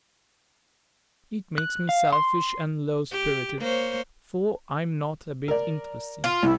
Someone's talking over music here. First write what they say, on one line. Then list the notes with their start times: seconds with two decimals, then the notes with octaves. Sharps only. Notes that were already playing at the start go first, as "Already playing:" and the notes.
It makes me selfish and low-spirited; for I'm not a bit interesting.
1.58 F#6
1.89 F5
2.13 C6
3.11 G4
3.60 A#3 C5 C#5
5.48 A#4 D5
6.24 F4
6.43 C2 E4